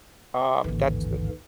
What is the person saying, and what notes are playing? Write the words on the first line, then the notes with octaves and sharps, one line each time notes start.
Um, that's the
A1 D#2 G#2 D3 E3